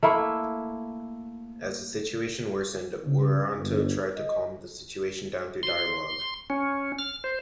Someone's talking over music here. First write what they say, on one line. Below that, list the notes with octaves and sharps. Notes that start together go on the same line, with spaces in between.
As the situation worsened, Wiranto tried to calm the situation down through dialogue.
A3 A#3 E4
C#3
G1
D#5
C6
C#4
F6
C5